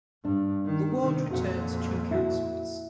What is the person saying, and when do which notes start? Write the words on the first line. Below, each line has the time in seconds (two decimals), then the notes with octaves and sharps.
The ward returns two councillors.
0.25 G2 D4
0.65 D#3
1.01 C3 D#3
1.31 F2 A#2 F#4 F#5
2.11 E4 F#4